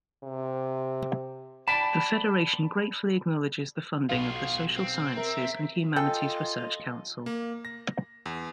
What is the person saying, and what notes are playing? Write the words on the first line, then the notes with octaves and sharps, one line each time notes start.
The Federation gratefully acknowledges the funding of the Social Sciences and Humanities Research Council.
C3
D5 G5 A5 B5 B6
B1 F4 G#4 F5
C4
A#4 E5
B6
F4 G#4 A4 D#5 G5
A#3
A#6
E2